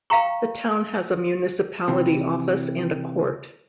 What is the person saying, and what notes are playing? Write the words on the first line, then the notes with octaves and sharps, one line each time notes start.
The town has a municipality office and a court.
F5 G5 A#5 C#6
C3 E3